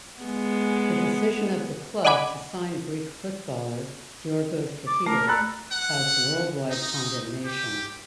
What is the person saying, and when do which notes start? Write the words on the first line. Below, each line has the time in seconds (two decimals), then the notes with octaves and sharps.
The decision of the club to sign Greek footballer Giorgos Katidis caused worldwide condemnation.
0.21 G#3 B3
2.05 D5 D#5 F#5 G#5 B5 D6
4.87 D6
5.06 A3 A#4
5.27 A4 A#5 B5 F#6
5.72 F#5
6.70 D#4
7.43 G4